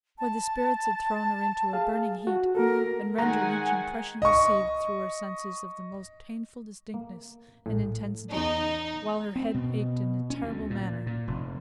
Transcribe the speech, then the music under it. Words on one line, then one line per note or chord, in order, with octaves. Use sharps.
For the spirits had thrown her into a burning heat, and rendered each impression received through her senses of the most painful distinctness and intensity, while her head ached in a terrible manner.
A5
G#4 F5
F#4
A#3 F#4 A4 A#4
D#3 G#3 F#5 G#5 A#5
D#5 C#6
A#3
A#1 A2
E2 C#4 D#4
C4
B2
C#4
D2
A#2
A#2
F1